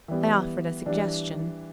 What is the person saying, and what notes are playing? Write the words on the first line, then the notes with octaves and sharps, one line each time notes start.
I offered a suggestion.
E3 G3 B3
E3 G3 D4